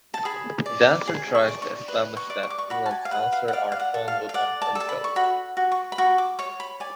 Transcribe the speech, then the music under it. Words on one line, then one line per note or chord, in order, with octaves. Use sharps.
Dancer tries to establish that Pilant's answers are founded on her jealousy.
A5
G#4 B5
D5
G#4
C#6
D5
C#6
B4
C#6
D5
C#6
D6
C#6
F#4 B5
A5
G#5
F5
B4 F#5
F5
F#5
D5 F5
F5
F#5
A4
F5
F5
D5 F#5
A5
A4
A5
B5
C#6
F#4 B5
F#4
C#6
B5
F#4 C#6
D6
C#5 C#6
B5
D5 G#5